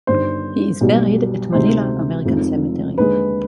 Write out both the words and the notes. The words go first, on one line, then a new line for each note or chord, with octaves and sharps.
He is buried at Manila American Cemetery.
G1 G2 D#3 C5
B1 B2 G3
D2 C3 D#3 G#3 C5
F1 F2 D#3 G#3
D#2 D3 G#3 B4